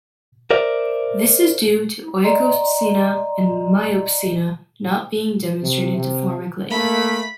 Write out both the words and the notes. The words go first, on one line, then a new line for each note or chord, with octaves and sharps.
This is due to Oegopsina and Myopsina not being demonstrated to form a clade.
A#4 C5 D5 E5
D5 D#5 A#5 C6
C3
C3
A3 A#3 B5